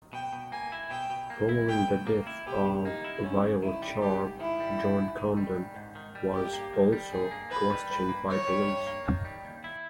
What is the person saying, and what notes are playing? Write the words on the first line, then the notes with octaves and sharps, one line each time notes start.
Following the death of Violet Sharp, John Condon was also questioned by police.
B2 G5
B2
A#3 G#5
E4
B2 G5
B2
A#3
E4
B2 G5
B2
A#3
E4
B2 G4
B2
A#3 D#4
E4
G#2 C#4
G#2
D#3 E4
G3
G#2 G4
G#2
D#3 E4
G3
G#2
G#2
D#3
G3
G#2
G#2
D#3
G3
G2 G4
A#3
D#3
G3
G2 G#4
A#3
D#3 B4
G3
G2 B4
A#3
D#3 C#5
G3
G2
A#3
D#3
G3
D#2
E4